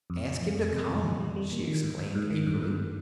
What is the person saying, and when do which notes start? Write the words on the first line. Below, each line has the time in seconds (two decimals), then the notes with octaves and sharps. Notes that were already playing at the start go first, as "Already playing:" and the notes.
"Ask him to come," she exclaimed, eagerly.
0.10 F2
0.26 F2
0.42 F2
0.57 F2
0.73 C3
0.89 F2
1.04 E3
1.20 G3
1.36 G3
1.52 A#3
1.67 D#3
1.84 G#2
1.99 G#2
2.15 G#2
2.30 D#3
2.47 G2
2.62 G2